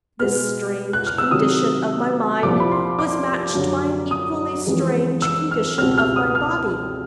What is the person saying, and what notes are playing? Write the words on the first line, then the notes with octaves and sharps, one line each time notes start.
This strange condition of my mind was matched by an equally strange condition of my body.
B2 G#3 B3 F6
F#6
F6
E6
C3 D#3 F#3 D#6
C2 A#2 F3 D6
B5
C6
D6
F#2 D3 F#3
D#6
F2 C#3 E3 G#3 C4
E6
F6
C#2 B2 G3 C4 F6
F6
D#6
F6